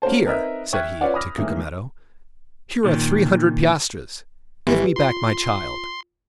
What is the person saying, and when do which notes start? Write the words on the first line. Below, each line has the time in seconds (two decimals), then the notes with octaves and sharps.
'Here,' said he, to Cucumetto, 'here are three hundred piastres; give me back my child.
0.02 A#3 C#4 F#4 C5 A5
0.25 C4 D#4 A#4 B4 D#5 E5
0.73 E5 G5 C#6 F6 F#6 G#6
1.01 C#4 F4 B4 C#5 D5 F#5
1.14 B5 D6 D#6 F6 A#6
1.37 A2 D#3 E3 G#3 A#3
2.84 A#2 D#3
4.67 G#1 E3 G4 B4
4.96 F4 C6